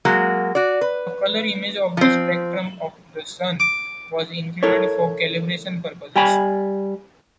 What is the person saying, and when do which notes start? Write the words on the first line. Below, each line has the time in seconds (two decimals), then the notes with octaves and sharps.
A color image of the spectrum of the sun was included for calibration purposes.
0.05 F#3 G#3 A#3 F#4
0.55 F#4 D5
0.81 B4
1.97 F3 C4
3.60 D6
4.63 E4 A4 A#4 C#5
6.16 G3 G5 G#5 B5